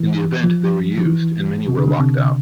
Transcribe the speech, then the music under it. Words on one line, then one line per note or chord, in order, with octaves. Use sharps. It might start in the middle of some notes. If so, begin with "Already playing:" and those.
In the event they were used and many were locked out.
Already playing: E3
F3
F3
E3
C3
D3
D3
C3